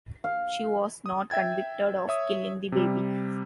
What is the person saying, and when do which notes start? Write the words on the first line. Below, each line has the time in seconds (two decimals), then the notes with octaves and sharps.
She was not convicted of killing the baby.
0.24 F5
1.06 D#6
1.30 E5 G5 G#6 A6
2.08 C#5 E5 D#6
2.72 C3 G3